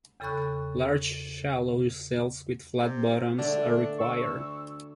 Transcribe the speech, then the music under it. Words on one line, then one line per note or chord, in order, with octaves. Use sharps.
Large shallow cells with flat bottoms are required.
E2 C#3 A4 B5 C#6 F#6
C3
D3 A3 D4
D2 C#6 E6